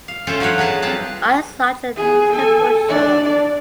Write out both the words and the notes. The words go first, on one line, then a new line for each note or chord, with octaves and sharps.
Eyes large and temple short.
F5
A3 C#4 F4 A4 C5
F3 F#3 D4 F#4 C#5
F#3 G#4 B4 A5
G3 C4 F4 A5
B3 G#4
A4 G#5
D4 D5